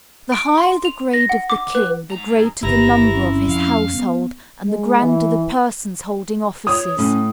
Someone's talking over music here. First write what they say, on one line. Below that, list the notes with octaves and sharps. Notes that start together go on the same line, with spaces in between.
The higher the grade of the king the greater the number of his household, and the grander the persons holding offices.
D7
C6
F7
A#6
F#5
D6
B4
G#2 A#5
G1 D#3 E4 G4 B4 A#5
C4 C#4
F2 F5
B3
G#3
E3
C#5 D#6
A2 C#4